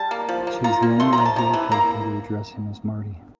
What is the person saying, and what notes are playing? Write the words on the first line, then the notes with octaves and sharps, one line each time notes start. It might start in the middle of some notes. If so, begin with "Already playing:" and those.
She is the only regular character to address him as Marty.
Already playing: G3 A5
A#3
F3
A#3
F4 A#5
A#3
A3 C6
A#5
C3
A5
C3 A#5
E3
A#3 A#5